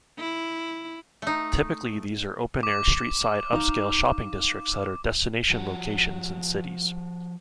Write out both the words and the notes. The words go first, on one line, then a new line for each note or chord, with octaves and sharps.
Typically these are open-air street-side upscale shopping districts that are destination locations in cities.
E4
A3 D#4
D6
D#4 F5
F3 F#4